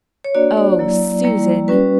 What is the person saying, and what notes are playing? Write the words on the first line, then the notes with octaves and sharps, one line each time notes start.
"Oh, SUSAN!"
C#5
A#3 D4 F#4 D5
D5
F#3 A#3 E4
G3 A#3 E4
G3 C#4 F#4 B4